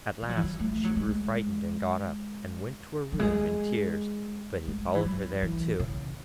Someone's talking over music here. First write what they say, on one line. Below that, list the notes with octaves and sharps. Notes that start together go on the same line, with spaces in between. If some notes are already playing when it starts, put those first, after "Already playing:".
At last she grew frightened, got up, and went to her room in tears, but he followed her there too.
G#3
F#3
E3
F#3
A3
F#3
G#3
F#3
G#3
G#3
E3
F#3
E3
C#3